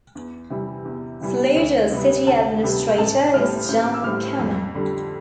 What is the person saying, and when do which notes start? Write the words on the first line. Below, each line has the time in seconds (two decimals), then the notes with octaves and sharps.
Saluda's City Administrator is Jon Cannon.
0.15 E2
0.50 C3 E3 G3
0.85 E2
1.21 C3 E3 G3
1.56 D2
1.92 C3 G3 B3
2.27 D2 A5
2.63 C3 G3 B3
2.98 A1 A5
3.33 A2 G3 C4 E4 F6
3.68 A1 G6
3.84 D6
3.94 E6
4.04 A2 G3 C4 E4 F6
4.39 F2
4.74 D3 G3